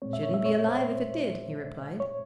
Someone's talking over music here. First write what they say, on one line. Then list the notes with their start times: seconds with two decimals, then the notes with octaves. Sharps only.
"Shouldn't be alive if it did," he replied.
0.02 A#2 G#3 C4 C#5
0.13 E5
0.23 C#5
0.34 E5
0.45 C#5
0.68 C5
2.00 C#5